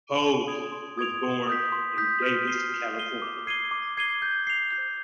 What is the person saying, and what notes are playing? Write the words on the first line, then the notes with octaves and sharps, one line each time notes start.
Hoag was born in Davis, California.
C6
D#6 G#6 D7 F7
C6
D#6 G#6 D7 F7
C6
D#6 G6 B6
C6
D#6 G6 B6
F6
C7 D#7 G7
F6
C7 D#7 G7
D6
G#6 C7 D#7 G7
D6
G#6 C7 D#7 G7
G6
C7 F7
G6